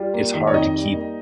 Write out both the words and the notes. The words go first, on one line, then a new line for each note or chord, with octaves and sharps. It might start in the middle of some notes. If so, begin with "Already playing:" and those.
it's hard to keep
Already playing: G3 F4
A#3
D#3
C#5
F2 D#4 D#5
G3
A#3